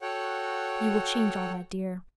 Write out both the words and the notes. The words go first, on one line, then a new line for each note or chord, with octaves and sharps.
You will change all that, dear.
F#4 A4 C#5 F#5 G5